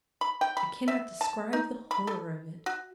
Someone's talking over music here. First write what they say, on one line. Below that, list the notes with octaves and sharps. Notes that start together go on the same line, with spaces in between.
I cannot describe the horror of it.
B5
G5
B5
E5
A5
D#4
B5
A4
F#4